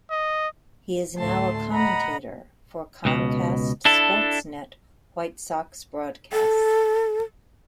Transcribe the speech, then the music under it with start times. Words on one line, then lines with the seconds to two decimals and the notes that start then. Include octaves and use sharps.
He is now a commentator for Comcast SportsNet White Sox broadcasts.
0.11 D#5
1.17 D2 A2 A3 A5 C6
1.71 D#5 F#5 A#5 B5
3.05 C#2 B2
3.85 D4 E4 A4
6.33 A4